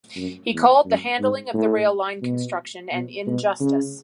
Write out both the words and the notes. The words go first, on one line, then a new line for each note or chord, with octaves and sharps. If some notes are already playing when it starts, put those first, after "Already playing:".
He called the handling of the rail line construction an injustice.
F#2
E2
F#2
G#2
A2
B2
B2
B2
C#3